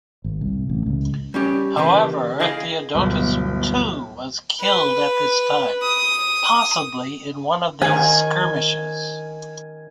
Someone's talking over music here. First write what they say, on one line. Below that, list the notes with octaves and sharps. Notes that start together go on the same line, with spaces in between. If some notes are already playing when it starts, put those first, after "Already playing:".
However, Theodotus too was killed at this time, possibly in one of these skirmishes.
G#1
C2
A1
C#2
G3 C#4 G4
C#3 E3 A#3 G4 B4
E4 G#4 D#5 F5 G5 G#5
D1 G1 B2
B4
D#6
D#3 G#5